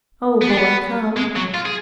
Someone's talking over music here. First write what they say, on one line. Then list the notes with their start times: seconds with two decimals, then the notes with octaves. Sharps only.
Oh, Boy--come!
0.41 B3
0.49 D4
0.57 B3
1.17 G#3
1.36 F#3
1.54 F4
1.66 G#4